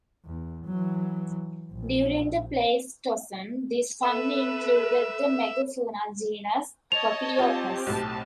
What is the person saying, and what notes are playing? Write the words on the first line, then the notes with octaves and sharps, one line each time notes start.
During the Pleistocene, this family included the megafauna genus "propleopus".
E2
E3 F#3
A#1
A4 B4 E5
C#5 D#5 A5 F7
C4 F4 G4
B1 A2 A5